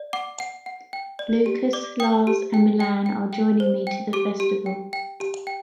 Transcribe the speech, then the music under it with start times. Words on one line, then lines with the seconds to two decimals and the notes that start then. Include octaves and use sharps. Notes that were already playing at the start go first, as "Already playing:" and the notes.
Lucas, Lars, and Milan are joining me to the festival.
Already playing: D5
0.13 F#5 D6
0.40 F#5
0.66 F#5
0.93 G5
1.19 D5
1.46 G4
1.73 D5 D6
2.00 G5 D#6
2.27 G4
2.54 G5
2.80 G5
3.06 G5
3.33 G5
3.60 C5
3.87 G5
4.13 G4 D6
4.40 G4
4.66 G5
4.93 G5
5.20 G4
5.47 G5